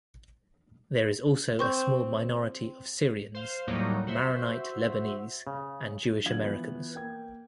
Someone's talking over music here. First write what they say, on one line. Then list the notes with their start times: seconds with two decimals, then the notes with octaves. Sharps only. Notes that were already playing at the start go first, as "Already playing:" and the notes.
There is also a small minority of Syrians, Maronite Lebanese, and Jewish-Americans.
1.59 C4 C6 C#6 G6
3.34 C5 F5
3.67 D#2 A2 F#3 G3 A#3 D#4
4.07 F#4 C5 E5
5.47 C#3
6.24 D3 F#3 F4 F5 G#6 F#7
6.43 E3 F3 B3
6.95 A#3 G5 G#6